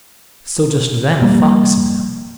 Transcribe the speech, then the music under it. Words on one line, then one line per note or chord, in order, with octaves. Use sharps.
So just then a Fox met him.
C3 F3 G3 A#3